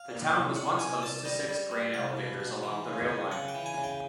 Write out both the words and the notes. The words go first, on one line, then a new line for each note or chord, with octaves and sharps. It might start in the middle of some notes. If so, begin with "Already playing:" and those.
The town was once host to six grain elevators along the rail line.
Already playing: F5
A#2
C2
C2 F#5
C2 G#5
C2 A5
G3 D#5
G3
G3
C2 F5
B2
B2
E3
C#3
C#3
C#3 F#5
G5
E3
G#5
C#3
G5